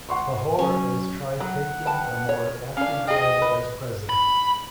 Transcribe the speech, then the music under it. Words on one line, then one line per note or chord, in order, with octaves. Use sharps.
Pahor has tried taking a more active role as president.
F#5 C6 C#6
F#3 C#4
F#3 F#5
B4 G5 A5
C#5
C#4 D4 F5
G#4 D#5 G5
B4
B5